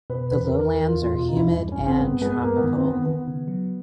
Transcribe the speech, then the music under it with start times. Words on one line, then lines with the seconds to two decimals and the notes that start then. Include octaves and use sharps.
The lowlands are humid and tropical.
0.10 B2 B4
0.31 E2 B4
0.45 A#4
0.52 E2
0.60 A#4
0.73 E2 A#4
0.88 F4
0.94 E2
1.02 F4
1.15 B2 F4
1.28 D#4
1.36 E2 E4
1.58 G2
1.71 C#4
1.79 A1
1.86 C4
2.00 G2 B3
2.22 G#3 B3
2.42 G2 A#3
2.56 B3
2.63 D#3
2.77 C4
2.85 D#3 B3
3.06 D#3 B3
3.27 C#3
3.48 F#3